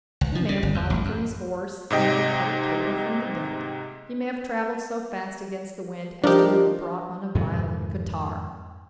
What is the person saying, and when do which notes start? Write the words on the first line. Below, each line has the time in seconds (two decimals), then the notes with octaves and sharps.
He may have fallen from his horse, he may have cut a caper from the deck; he may have traveled so fast against the wind as to have brought on a violent catarrh.
0.21 C#2
0.35 F3
0.49 C#3
0.63 G1
0.75 E2
0.90 A1
1.05 F#2
1.90 G#2 C3 D#5 G5
6.24 F3 D4 G4 A#4 D#5
7.35 F2 G#2 C3 D#3